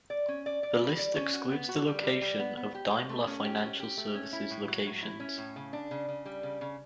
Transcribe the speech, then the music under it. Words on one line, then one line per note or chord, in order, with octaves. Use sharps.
The list excludes the location of Daimler Financial Services locations.
D5
C#4
D5
D5
G3
D5
C#4
F#4
B3
F#4
G3
G3
G3
B3
B3
G4
G4
A3
C#4
G4
C#4
G4
A3
C#4
E4
A2
F#3
A2
E4
C#4
A2
C#3
D4
C#3
C#3
G3
C#3
C#3